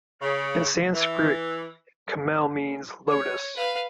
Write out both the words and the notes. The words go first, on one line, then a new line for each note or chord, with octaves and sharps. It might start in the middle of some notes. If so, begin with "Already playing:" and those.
In Sanskrit, "Kamal" means "lotus".
C#3
E3
C#5
B4 F5